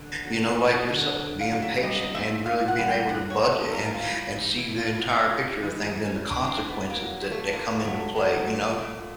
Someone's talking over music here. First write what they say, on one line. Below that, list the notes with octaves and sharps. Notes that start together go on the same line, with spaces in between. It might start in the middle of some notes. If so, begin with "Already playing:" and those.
you know, like yourself, being patient and really being able to budget and and see the entire picture a things and the consequences that that come into play, you know?
Already playing: D3
F#3
F#3
D3
D3
F5
F#3
E5
G3 D#5
A#2 E5
A#2 F5
F#5
G3
G5
G3 F#5
C#5
A#2
A4
A#2 A#4
F4
G3
E4
E3 D#4
E4
A2
F4
G#3 F#4
A2 F4
E3 D#4
E4
A2
C#4
G#3 D4
C4
A2
B3
F#3 A#3
A#2
A3
A#2 A#3
F#3 A3
F#3
A#2
A#2